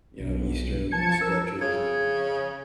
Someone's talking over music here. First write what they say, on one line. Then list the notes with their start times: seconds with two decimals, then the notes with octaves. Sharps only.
you know, eastern stretches, and whatnot.
0.20 B1
0.91 F3 A5 G#6 C#7
1.21 A#4 E6
1.61 C#3 G#6